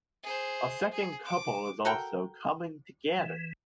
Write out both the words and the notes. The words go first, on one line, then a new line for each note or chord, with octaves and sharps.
A second couple is also coming together.
G#4 C5
G#4
D6
F#4 A4 A#4 G5
E3